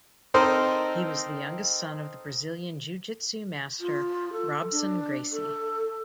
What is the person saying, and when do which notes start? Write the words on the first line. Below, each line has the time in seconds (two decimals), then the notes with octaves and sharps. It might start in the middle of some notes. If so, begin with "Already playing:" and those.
He was the youngest son of the Brazilian Jiu-Jitsu Master Robson Gracie.
0.34 C4 D#4 A4 A#4 C5 D#5
3.81 F4
4.33 A4
4.72 D4
5.32 A4